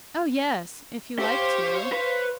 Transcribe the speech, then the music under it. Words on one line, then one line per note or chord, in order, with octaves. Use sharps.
"Oh yes; if you like to."
G4 C5 C#5 F5
B4